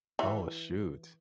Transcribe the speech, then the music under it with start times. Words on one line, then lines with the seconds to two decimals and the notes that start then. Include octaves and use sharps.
Oh, shoot
0.19 E3